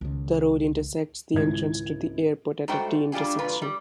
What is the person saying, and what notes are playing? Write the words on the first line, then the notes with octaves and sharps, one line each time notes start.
The road intersects the entrance to the airport at a T-intersection.
C#2 D#3
G#1 C#2 E4 G#6
G#2 G3 A3 F#4 C5 G5
G3 D4 F4 G4 G#4
G2 A#2 E3 F4 B4
G3